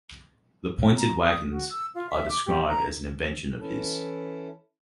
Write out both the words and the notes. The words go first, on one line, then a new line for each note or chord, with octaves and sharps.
The pointed wagons are described as an invention of his.
A#5
D#6
F#4
E6
F4
E5
D6
G4
A#5
E3 C#4 E4 A4